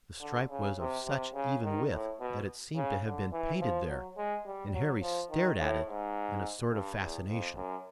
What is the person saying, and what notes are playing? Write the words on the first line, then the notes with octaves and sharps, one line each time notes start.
The stripe was of such even width that it seemed to have been painted there, and Harry stared at it in a sort of fascination.
D3
C#3
C3
C3
C#3
D#3
A2
B2
C#3
D3
E3
F3
F#3
G#3
G3
F#3
F3
D#3
A2
G#2
G2
E2
F2
F#2